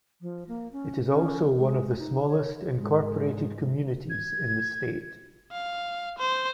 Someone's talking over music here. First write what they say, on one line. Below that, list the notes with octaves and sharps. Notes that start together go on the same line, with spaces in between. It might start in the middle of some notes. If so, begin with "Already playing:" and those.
It is also one of the smallest incorporated communities in the state.
F3
A#3
C#4
C#4
G#3
D#4
C#5
G#2 G#3
G#6
F5
C5